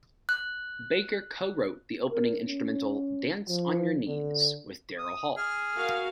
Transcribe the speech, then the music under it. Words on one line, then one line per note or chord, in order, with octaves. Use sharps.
Baker co-wrote the opening instrumental, "Dance On Your Knees," with Daryl Hall.
F#6
A#4
C#4
F3
D3
D#6
G#4 F6
F#4 A#4 F5